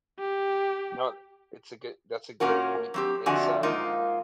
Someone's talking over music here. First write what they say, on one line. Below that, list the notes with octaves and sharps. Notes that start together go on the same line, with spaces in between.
No. It's a good that's a good point. It's, um,
G4
A#2 A#3 C#4 F#4 A#4
F#3 C4 G4
F2 D3 A3 F#4 D5 G#5
G#2 F3 A#3 D#4 F4